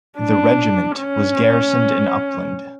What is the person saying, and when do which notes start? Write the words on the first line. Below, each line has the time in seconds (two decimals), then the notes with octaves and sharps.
The regiment was garrisoned in Uppland.
0.18 D4
0.99 C#4